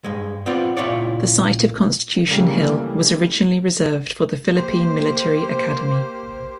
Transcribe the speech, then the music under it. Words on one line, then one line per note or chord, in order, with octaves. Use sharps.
The site of Constitution Hill was originally reserved for the Philippine Military Academy.
G2 G#3
B3 C4 F4 D5
C#2 A#2 E4 F4 C#5 D5
C#3 E3 G3 A3 A#3 C#4
A#3 G4 C5